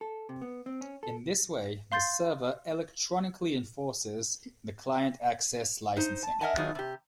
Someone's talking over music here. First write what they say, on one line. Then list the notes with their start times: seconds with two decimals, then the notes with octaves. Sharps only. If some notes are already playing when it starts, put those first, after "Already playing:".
In this way, the server "electronically enforces" the Client Access licensing.
0.01 A4
0.29 C3
0.42 B3
0.66 C4
0.81 C#4
1.03 A4
1.92 F5 C6 G6 A6 C7
5.97 D#4 C5
6.23 A5
6.41 A#4 D#5 E5 F#5 G#5 A5
6.57 D#3 F#3 B3 D#4 F4 G#4
6.75 C3 G4